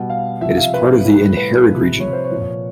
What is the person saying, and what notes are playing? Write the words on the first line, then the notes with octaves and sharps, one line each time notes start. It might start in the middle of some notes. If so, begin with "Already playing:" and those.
It is part of the Innherred region.
Already playing: B2 G3
F5
C3 F3 E5
F5
B4
A2 E3 G3
B4
C3 F3
C#5
C5
C#5
A#2 F3